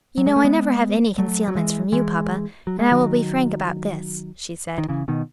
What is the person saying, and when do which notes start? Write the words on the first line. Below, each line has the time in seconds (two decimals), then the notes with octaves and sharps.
"You know I never have any concealments from you, papa, and I will be frank about this," she said.
0.18 F#3
0.26 G#3
0.36 A3
0.44 G#3 B3
1.18 F#3 A3
1.48 F#3
1.55 E3 G#3
1.92 E3 G#3
2.67 F#3
2.79 G#3
2.91 D#3 F#3
4.78 D#3
4.88 C#3 E3
5.08 B2 D#3